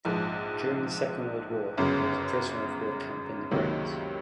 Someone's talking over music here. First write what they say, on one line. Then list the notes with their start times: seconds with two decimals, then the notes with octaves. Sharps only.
During the Second World War there was a prisoner-of-war camp in the grounds.
0.05 A#1 G#2 F3
1.77 G1 F#2 C#3
3.51 C#2 C3 D#3 F#3 A#3